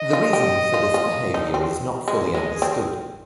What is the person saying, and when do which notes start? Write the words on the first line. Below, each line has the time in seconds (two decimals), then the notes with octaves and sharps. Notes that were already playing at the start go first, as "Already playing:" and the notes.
The reason for this behaviour is not fully understood.
Already playing: D#5
0.13 F4
0.33 G4
0.74 F4
0.94 F4
1.34 D#4
1.54 C4
2.08 G#3
2.34 G#3 D#5
2.54 G#4
2.62 C4